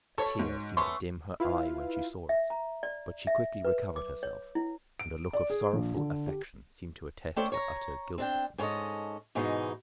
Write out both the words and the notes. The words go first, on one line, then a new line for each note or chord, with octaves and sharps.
A tear seemed to dim her eye when she saw us, but she quickly recovered herself, and a look of sorrowful affection seemed to attest her utter guiltlessness.
B2 A4 C#5 C#6
G#2
A3 B3 C#4 C6 C#6
E4 F4 B4 F5
E5
A#5
D5
E5
B4
D6
C#5
E4
D7
D5
G#4
A#1
D3
G4
A3 C#4 A4 C5 D5 G5
C#5 A#5
C4 D4 G5
G#2 C#4 D4 A4 D#5
G#2 B2 E3 G#3 D#4